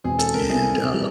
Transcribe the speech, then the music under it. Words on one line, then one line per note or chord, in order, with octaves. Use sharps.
and, uh,
E2 B2 G#3 C4 G#4
A4
A#4
G3 C4 E4 G#4
E3 G3 C4